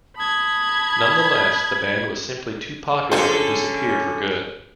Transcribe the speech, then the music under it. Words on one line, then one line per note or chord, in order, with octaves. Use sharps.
Nonetheless, the band was simply too popular to disappear for good.
A5 B5 D#6 G#6
D3 C#4 F4 G#4 A4 C5